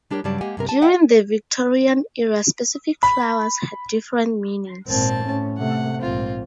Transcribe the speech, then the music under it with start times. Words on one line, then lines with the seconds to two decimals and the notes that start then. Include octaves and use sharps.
During the Victorian era, specific flowers had different meanings.
0.10 G3 D4 G4 A#4 C#5
0.24 G2 C#3 F#3 G3 D5 A5
0.41 G#3 A#3 G4 F#5 G#5
0.57 G2 C3 A#4
0.69 A5
0.81 D#5 E5 F#5 G5
3.03 B5
4.87 G#1 A#2 C4 A5
5.24 A2 C#4
5.58 C3 A3 F#5
6.00 A#1 G#2 C4 F4